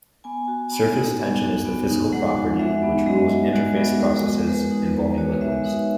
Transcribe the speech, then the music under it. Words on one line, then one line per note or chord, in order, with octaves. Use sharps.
Surface tension is the physical property which rules interface processes involving liquids.
B3 G#5
F#4
B3
D#4
B3
F#4
B3
D#4
G#3 F#5
F#4
G#3 E5
B3
G#3 D#5
F#4
G#3 F#4
B3 G#4
G#3 A#4
F#4
G#3 B4
D#4
G#3 B4
F#4 C#5
G#3 E5
D#4 E5